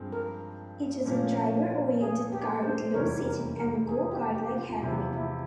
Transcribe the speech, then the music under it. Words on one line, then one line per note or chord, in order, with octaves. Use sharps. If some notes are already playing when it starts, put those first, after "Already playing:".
It is a driver oriented car with low seating and go kart like handling.
Already playing: G2 F3 G#3 C4
A#4
A#2 F3 A#3 C#4
G#4
G4
C5
F1 E2 E3 G3 A#4 C#5
A#4
A#4
G#4
G4
G4
F4
E2 C3 F3 E4
E4